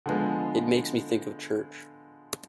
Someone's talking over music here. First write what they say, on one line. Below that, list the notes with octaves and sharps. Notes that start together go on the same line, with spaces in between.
It makes me think of church.
D3 F3 G#3 B3